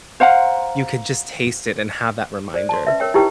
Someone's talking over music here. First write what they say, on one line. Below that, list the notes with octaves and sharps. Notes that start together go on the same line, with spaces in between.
you could just taste it and have that reminder.
C5 F5 F#5 A#5
C5 D5
A5 C6
C#4 B4 E5
A#4 C#5 G5
D#4 E4 G4 B4 G5